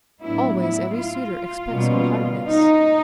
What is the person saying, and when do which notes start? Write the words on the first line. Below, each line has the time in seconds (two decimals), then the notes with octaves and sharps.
Always every suitor expects whole heartedness.
0.20 A2 F#3 B3 D4 E4
0.58 E4
0.96 F4
1.71 B2 G3 A#3 C#4
2.46 D#4